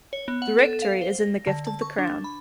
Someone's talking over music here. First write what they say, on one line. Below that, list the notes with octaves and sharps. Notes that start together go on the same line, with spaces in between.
The rectory is in the gift of the crown.
C#5
B3
F#5
A4
F5
C5
A#6
D3
A5
C#6
D4
B5